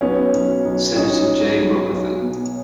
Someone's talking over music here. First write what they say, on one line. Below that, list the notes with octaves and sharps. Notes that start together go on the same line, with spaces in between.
Senator, Jay Rockefeller.
B1 B3 C#4
B1
B1
B1 C#4 D#4
B1
B1
B1
B2